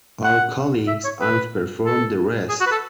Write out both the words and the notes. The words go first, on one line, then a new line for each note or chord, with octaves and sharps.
Our colleges outperformed the rest.
F#5
E5
C#5
B4
A4
G#4
F#4
B4
A4